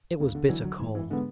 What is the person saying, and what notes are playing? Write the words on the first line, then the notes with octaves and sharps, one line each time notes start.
It was bitter cold.
D2 C#3
D3
D3 E3 F#3
F#3
G#2 E3
E3
D3 G#3 B3